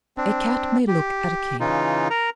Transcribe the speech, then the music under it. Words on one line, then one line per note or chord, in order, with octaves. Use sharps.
"A Cat may look at a king."
C4 D4
G4
C#3 E3 D#4 F4
A#4 A#5